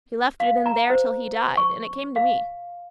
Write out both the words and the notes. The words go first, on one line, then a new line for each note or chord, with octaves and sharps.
He left it in there till he died, and it came to me.
F5
A#5
C5
C#6
F5